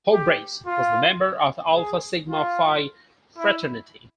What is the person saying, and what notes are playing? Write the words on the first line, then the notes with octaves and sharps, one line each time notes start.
Houbregs was a member of Alpha Sigma Phi fraternity.
G4
F4
G#4
F4
E4